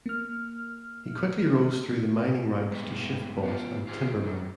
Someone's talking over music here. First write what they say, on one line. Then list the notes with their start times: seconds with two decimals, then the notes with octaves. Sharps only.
He quickly rose through the mining ranks to shift-boss and timberman.
0.06 A#3 F6
2.71 G2 G3 G#3 B3 G4
3.43 B3 F4 G4
3.87 F4 G4 G#4 B4 C5
4.22 F#3 G3